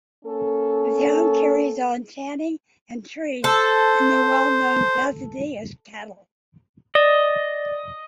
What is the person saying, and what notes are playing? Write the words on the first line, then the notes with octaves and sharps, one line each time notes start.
The town carries on tanning and trade in the well-known Bazadais cattle.
A#3 C#4 A4
A4 C5
D5 D#5